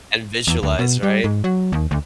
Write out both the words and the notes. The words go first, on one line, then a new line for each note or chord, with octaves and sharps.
And visualize, right?
E2
D2
B2
G3
G#2
F#3
D#2
D2